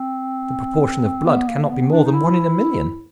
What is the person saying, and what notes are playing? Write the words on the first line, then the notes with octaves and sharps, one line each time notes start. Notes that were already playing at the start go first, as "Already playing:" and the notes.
The proportion of blood cannot be more than one in a million.
Already playing: C4
B3
A#3
A#3
B3
D4
D#4
E4